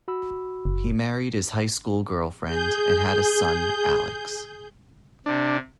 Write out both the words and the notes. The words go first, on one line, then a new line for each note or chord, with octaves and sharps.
He married his high school girlfriend and had a son Alex.
F#4 B5 E6
F#1
G#4 G6
C3 D4